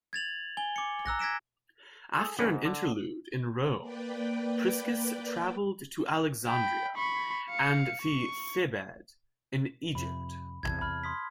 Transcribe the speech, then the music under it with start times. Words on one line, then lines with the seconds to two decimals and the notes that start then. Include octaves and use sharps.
After an interlude in Rome, Priscus traveled to Alexandria and the Thebaid in Egypt.
0.13 G#6 A6 F7 F#7
0.57 G#5 G7
0.76 D6 C#7
1.06 A#5 E6 F#6 A#6
1.19 G#6 A#6 B6 D7 E7
2.17 G#4 A4
2.39 A1 G2 C#3 D4 B4 F#5
2.50 G#2
2.65 D3
3.81 A#3 B4 D5 G5
6.47 G5 B5
6.96 B5 C#6
7.49 F5 C#7
8.02 C#6
9.95 F2 C3 B5
10.63 E2 C3 A5 G#6
10.81 B5 F6
11.04 C6 D#6 B6